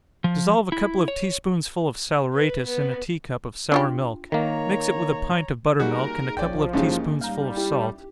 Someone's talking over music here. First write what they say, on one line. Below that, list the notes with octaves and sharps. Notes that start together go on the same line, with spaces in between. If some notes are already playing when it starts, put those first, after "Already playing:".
Dissolve a couple of tea-spoonsful of saleratus in a tea-cup of sour milk--mix it with a pint of butter-milk, and a couple of tea-spoonsful of salt.
F3
E4
C#5
B4
B3
D4 F4 G4
D#3 A#3 C#5 A#5
G3 A#3 D#4 F#4 G#4 A#4
A#1 F3 C#4 D5 G5
G#2 C#3 A#3 C#4 D#4 E4 G4
G3 F5 A#5 G6
E4 G4